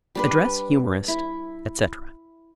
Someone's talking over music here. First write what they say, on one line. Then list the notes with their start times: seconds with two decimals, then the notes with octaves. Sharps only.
Address HUMORIST, etc.
0.15 G3 D4 B4
1.08 E4